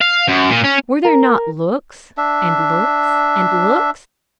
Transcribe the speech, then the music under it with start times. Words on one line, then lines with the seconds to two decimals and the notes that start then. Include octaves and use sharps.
Were there not looks, and looks, and looks?
0.01 F5
0.28 F#2
0.49 A#2
0.64 C#4
1.05 A#4
2.17 D4 E5